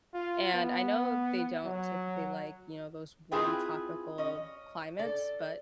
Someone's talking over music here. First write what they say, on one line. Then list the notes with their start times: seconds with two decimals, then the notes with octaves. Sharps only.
and I know they don't typically, like, you know, those warm tropical climates, but
0.14 F4
0.53 B3
1.64 F#3
3.32 C4 E4 F4 G#4 B4 G5
4.18 C#4 D#5
4.99 A4 D5